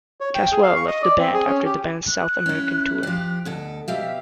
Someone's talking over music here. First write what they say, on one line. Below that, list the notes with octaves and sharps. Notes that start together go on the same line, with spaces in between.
Casswell left the band after the band's South American tour.
C#5
G5
G#4
F5
C#6
D#5
D5
C4
G#4
C#4
G4
F#6
C#4 E4
F3 G4
D2 B2 A4
B2 G4 E5 F5